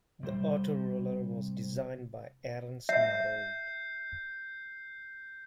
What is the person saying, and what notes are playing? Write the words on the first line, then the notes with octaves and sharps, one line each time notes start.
The Autoroller was designed by Ernst Marold.
C3 G3 C5
E5 G6 C7